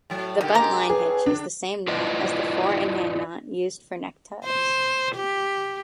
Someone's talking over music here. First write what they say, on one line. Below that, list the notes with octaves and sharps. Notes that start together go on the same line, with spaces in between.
The buntline hitch is the same knot as the four-in-hand knot used for neckties.
A2 F#3
A#2 D3 D#3 G4
B2 G#3 G4 A#4 A#5
A2 G#4 B4
D3 D4
E4 F4 B4 D5 D#5
C5
G4